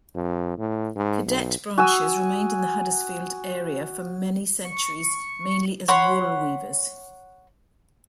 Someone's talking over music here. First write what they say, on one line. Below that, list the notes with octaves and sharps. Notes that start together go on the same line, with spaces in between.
Cadet branches remained in the Huddersfield are for many centuries mainly as wool weavers.
F2
A2
G#2
B1
F#4 G#5 D#6 E6
C#6
C#5 F#5 B5 C6